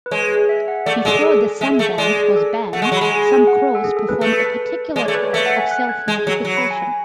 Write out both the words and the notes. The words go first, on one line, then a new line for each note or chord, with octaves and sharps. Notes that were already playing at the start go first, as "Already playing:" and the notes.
Before the Sun Dance was banned some Crows performed a particular type of self-mortification.
B4
G#3 C#5
E5
F#5
A3 D5
D5
G#3 A4
G#4
A4
G#3 E5
A3
G#3 D5
D5
A4
A3 F#5
G#3 C#6
F#3
B5
G#3
G#5
F#5
A4
G#4
A4
B4
A3 B4
A4
B4
G#3 D5
C#5
A3
B4
C#5
A3 E5
F#5
G#5
F#6
G#6
G#3 G#6
F#3
F#3
B5
G#5
G#5